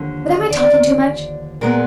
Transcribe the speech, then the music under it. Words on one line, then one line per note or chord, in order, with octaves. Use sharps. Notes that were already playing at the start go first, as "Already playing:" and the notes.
But am I talking too much?
Already playing: D#2 D3 F3
D#5
D5
A#2 G#3 B3 A#4